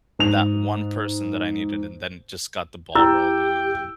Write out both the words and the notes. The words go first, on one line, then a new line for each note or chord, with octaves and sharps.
that one person that I needed and then just got the ball rolling, and then
G#2 F7
E4 G4 G5 E6